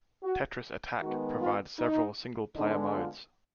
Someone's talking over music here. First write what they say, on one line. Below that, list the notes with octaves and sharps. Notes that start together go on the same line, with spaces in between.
"Tetris Attack" provides several single-player modes.
F#4
D#3 G#3 B3 F#4
F4
D#4
D3 G#3 B3 D#4
F4